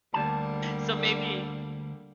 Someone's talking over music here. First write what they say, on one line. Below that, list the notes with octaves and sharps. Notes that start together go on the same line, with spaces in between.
So, maybe
D2 D3 G3 A#3 A5